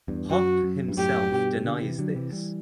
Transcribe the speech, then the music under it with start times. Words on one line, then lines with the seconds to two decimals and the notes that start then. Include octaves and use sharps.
Hopp himself denies this.
0.08 E2 G2
0.30 F#2 F#4
0.64 F#2
0.88 G2
0.97 F#2 A2 G4
1.31 G2 B2
1.64 B2 D3
1.82 C3 E3
1.98 D3 F#3
2.15 C3 E3
2.32 E3 G3